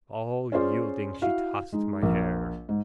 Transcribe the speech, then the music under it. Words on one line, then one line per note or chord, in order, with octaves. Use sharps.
All yielding she tossed my hair.
C#4 F4 G#4 C5 D5
E4 F#4 F5
G#3 D#4
A#1 A#4
G#2